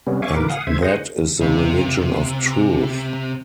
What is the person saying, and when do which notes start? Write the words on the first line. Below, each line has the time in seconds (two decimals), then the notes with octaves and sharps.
And that is the Religion of Truth.
0.07 C3 G3 B3 C#4
0.22 E5 F5 G#5 C#6 D6
0.36 A2 D#3 A#4 B4 D6
0.48 F5 F#5 G#5 D#6
0.67 D#2 C#3 C5 E5 G#6
0.82 G#4 C5 D#5 F#5
1.41 C#2 C3